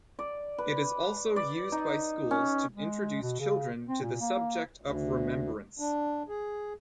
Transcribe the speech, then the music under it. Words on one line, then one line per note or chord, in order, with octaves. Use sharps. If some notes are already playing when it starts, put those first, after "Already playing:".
It is also used by schools to introduce children to the subject of remembrance.
D5
B4
D5
D#4
C#4
G#3
B2
C#3
C4
A#2
A#3
D2
D4
G#4